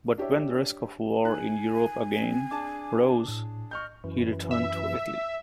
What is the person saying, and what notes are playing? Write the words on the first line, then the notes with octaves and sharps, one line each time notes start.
But when the risk of war in Europe again rose, he returned to Italy.
D4 G4 C#5 E5
D#4 G#5 F#6
C4
D4 G#4 A5 D6
A2
D#5 C#6 F6 G6
F#2 E3
E5